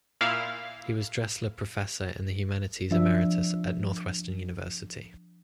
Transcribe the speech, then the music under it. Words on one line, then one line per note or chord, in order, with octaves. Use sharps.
He was Dressler Professor in the Humanities Emeritus at Northwestern University.
A#2 E4 F5
F3 D4 E5